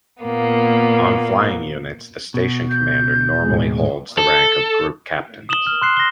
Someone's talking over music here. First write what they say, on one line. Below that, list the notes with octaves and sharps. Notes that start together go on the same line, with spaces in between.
On flying units the station commander normally holds the rank of group captain.
A#2 A#3 B3
B2
G6
D#2 A2 G#3
A4
D#6 E7 F#7 G7
F6
C6 F#6 C7
A#6 G7